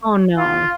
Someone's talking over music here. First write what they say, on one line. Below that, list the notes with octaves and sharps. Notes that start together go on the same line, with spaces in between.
Oh, no.
F4